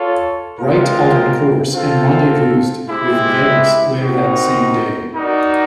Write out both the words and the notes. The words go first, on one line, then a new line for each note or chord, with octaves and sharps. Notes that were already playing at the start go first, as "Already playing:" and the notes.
"Wright" altered course and rendezvoused with "Velos" later that same day.
Already playing: F4 A4 C#5
G#3 C4 F4 A#4
C4 F4 A4
G#3 C4 E4 G4
C4 D#4 F#4 A#4
D#4 F#4 A#4 D5